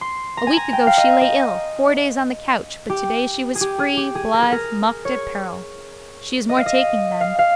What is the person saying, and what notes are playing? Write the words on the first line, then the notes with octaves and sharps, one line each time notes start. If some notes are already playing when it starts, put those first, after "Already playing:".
A week ago she lay ill, four days on the couch, but today she was free, blithe, mocked at peril. She is more taking then.
C6
A#5
G#5
A#5
G5
F5
D#5
D#5
G4
G#4
G4
G#4
G4
G#4
A#4
G#4
A#4
C#5
D#5
F5
D#5
F5
F5